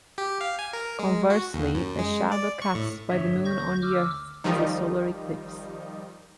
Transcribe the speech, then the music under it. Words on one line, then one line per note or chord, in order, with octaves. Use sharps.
Conversely, a shadow cast by the Moon on the Earth is a solar eclipse.
G4
F5
G#5
A#4
G#3
F#4
D#2
F#2
G#3
D5
C#6
A2
D2 G2 C#5 E5
C#6 G6 A#6
D6 E6 F6
D#3 F3 G3 D#4